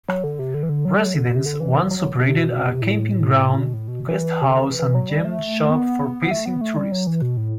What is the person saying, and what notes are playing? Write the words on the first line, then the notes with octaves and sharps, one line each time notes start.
Residents once operated a camping ground, guesthouse and gem shop for passing tourists.
F#3
D3
C3
D3
E3
D3
F#3
G3
F#3
D3
B2
C3
D3
E3
F#3
C3
B2
B2
C3
A2
B2
A2
B2
E3
C3
D3
E3
E3
F#3
G3
A3
B3
B3
A3
B3
A3
G3
F#3
E3
B2
A2